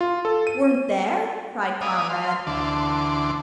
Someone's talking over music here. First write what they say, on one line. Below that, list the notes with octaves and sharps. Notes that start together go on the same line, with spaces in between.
"Weren't there?" cried Conrad.
F4
A4
D#7
D5 D#5 F5 G#5 B5 D#6
F5 C6
D2 D3 E3 A5 C6 D6